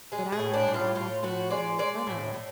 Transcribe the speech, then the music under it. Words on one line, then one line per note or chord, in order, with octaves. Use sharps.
but I remember almost being made fun of
G#3 G#4
G#4
A2
D4
A2
F4
A2 F4
A2 F#4
G#3 D5
G#3 D5
A2
A2